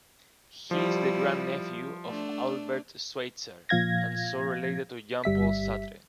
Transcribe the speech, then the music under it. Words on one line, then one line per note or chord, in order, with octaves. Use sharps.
He is the grandnephew of Albert Schweitzer, and so related to Jean-Paul Sartre.
F3 G3 E4
A3 D4
A#2 F3 F5 G#6 A#6
G1 G3 E5 B6